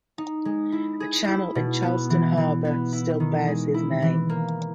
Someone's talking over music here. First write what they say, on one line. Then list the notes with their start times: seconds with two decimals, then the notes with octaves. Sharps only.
A channel in Charleston Harbor still bears his name.
0.18 D#4
0.45 G#3
0.72 E4
1.00 G#4
1.28 E4
1.55 B2
1.82 B3
2.10 E3
2.37 E3
2.65 B3
2.93 E4
3.20 D#3
3.48 G#3
3.74 E4
4.02 E3
4.29 A#3